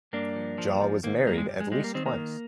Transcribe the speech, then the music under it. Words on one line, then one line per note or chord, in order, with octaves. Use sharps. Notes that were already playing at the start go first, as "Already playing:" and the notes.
Jaw was married at least twice.
G2 A#3 D4
F3
F3
F3
D#3 A#3
G2 A#3
G#3
G3
G#3
G3 G#3
A#3
D#3 C4
A#3
D#3